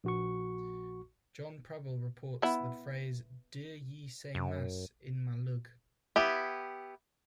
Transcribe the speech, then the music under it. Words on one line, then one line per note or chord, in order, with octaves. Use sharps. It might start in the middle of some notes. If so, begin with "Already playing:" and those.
John Prebble reports the phrase Daur ye say Mass in my lug?
A#1 F#4 C#6
B3 E4
F#2
B3 E4 G4